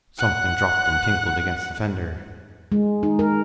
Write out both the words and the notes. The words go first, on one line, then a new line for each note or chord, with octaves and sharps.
Something dropped and tinkled against the fender.
F#5 F#6
G#3
D#4
A#4